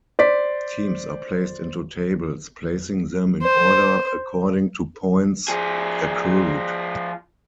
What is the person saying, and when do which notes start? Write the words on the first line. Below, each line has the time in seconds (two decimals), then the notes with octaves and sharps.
Teams are placed into tables, placing them in order according to points accrued.
0.19 C5 D5 B6
3.42 C5
5.48 F3 G#4